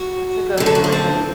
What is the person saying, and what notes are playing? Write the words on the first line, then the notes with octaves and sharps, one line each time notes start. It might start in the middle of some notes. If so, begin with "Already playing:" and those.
That's a good point.
Already playing: F#4
F#2 D3 G4
A4
F#4
D4
C4